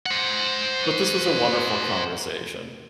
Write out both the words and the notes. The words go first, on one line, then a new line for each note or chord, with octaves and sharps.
But this was a wonderful conversation.
C5 F#5